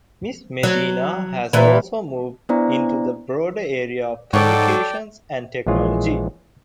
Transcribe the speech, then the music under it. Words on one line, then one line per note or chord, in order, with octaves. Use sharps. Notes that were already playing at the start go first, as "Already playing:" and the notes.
Ms. Medina has also moved into the broader area of communications and technology.
F#3
A#2 E3
B3 D4 E4 C5 D5 A#5
G#2 A4 C#5 D5 F#5 G5 C#6 D6
A#1 E3 G#3 F4 G#4 C#5